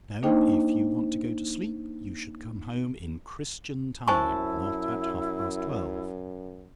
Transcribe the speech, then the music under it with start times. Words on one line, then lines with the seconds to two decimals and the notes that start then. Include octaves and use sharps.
No; if you want to go to sleep, you should come home in Christian time, not at half-past twelve.
0.23 A#3 D4 D#4 C5 D#5 G5
4.08 F#2 E4 C5 G#5 A5 C#6